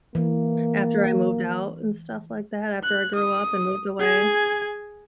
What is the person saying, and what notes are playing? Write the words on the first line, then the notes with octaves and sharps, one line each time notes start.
after I moved out and stuff like that, after I grew up and moved away,
E3 A#3
F#6
D#6
G#4 G#5